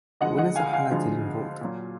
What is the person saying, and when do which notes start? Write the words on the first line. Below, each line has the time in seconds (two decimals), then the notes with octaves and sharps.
Winners are highlighted in bold.
0.21 D2 D3 F3 G#3 D#5 F#5
0.38 D#5 F#5
0.56 F5 G#5
0.73 F5 G#5
0.91 D2 D3 F3 G#3
1.61 A#2 F#3